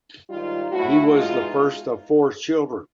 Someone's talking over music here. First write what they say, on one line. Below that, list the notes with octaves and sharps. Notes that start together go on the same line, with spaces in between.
He was the first of four children.
G#2 D#3 G3 D#4 F4
A2 F#3 A3 E4 F#4
E2 B2 G#3 D#4 F4